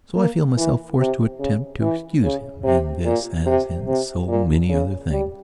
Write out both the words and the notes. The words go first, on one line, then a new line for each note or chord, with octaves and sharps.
So I feel myself forced to attempt to excuse him in this as in so many other things.
A#3
E3
C3
C#3
E3
C#3
C3
A#2
C3
C3
A#2
C#3
G3